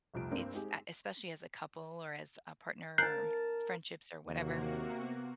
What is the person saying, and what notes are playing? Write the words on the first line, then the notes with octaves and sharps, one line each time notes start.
It's uh, especially as a couple, or as a partner, or friendships, or whatever,
F1 C2 F3 D7
G2 A#3 C4 D4
G#3 C4 D#4 G4 G#4
A#4 A5 F#6 G6 C7
D#2 C3 A#3 F#4
B3